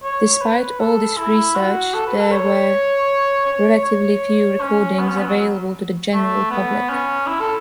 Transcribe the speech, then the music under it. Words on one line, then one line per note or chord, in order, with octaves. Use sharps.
Despite all this research, there were relatively few recordings available to the general public.
C#5
B4
A4
E4
F#4
A4
B4
A4
C#5
C#5
C#5
C#4
B3
C#4
B3
F#3
A3
B3
C#4
E4
A4